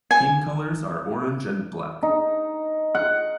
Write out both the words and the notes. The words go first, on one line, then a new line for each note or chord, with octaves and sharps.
Team colors are orange and black.
G#5
D#4
F#5